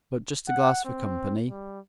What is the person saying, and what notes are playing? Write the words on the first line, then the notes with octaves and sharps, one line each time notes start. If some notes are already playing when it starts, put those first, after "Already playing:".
"But just a glass for company."
F#5
C4
G3